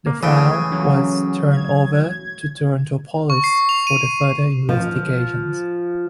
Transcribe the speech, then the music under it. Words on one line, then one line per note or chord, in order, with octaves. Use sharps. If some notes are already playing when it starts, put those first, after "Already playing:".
The file was turned over to Toronto Police for further investigation.
A#3
C#3 E3 A3 G5 G#5
F#3 C#4
G#6
C#6
C7
F7
D#7
F3